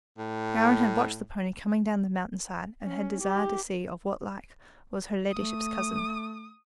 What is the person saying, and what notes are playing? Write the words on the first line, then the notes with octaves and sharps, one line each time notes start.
Gowran had watched the pony coming down the mountain-side, and had desired to see of what like was "her leddyship's" cousin.
A2
C#4
G4
A3 D#6